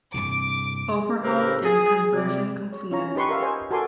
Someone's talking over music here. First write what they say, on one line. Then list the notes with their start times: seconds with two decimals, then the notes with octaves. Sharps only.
Overhaul and conversion completed.
0.14 G2 C3 E3 D6
1.22 A2 C#3 C4 G4 A#4 B4
1.64 G#4
2.14 C3 G3 D5
2.73 C#5
2.91 C#4 F4 C#5 A#5
3.15 D#4 G4 B4 C6 C#6
3.29 A#4 E5 F5
3.42 C5 D#5 G#5
3.71 F#4 A4 A#4 G#5 C6 D6